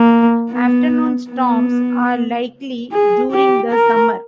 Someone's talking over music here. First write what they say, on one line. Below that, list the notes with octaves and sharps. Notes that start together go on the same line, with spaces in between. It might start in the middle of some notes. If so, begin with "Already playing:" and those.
Afternoon storms are likely during the summer.
Already playing: A#3
B3
B3
G#4
G4
A#4